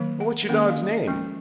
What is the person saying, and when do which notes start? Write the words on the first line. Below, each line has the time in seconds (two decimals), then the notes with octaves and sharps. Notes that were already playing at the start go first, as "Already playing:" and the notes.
"What's your dog's name?"
Already playing: D#3 F#3 A#3
0.20 F#5
0.49 D#3 A#3 C#4 F#5
0.69 F5
0.89 D#5
1.08 F3 G#3 C#4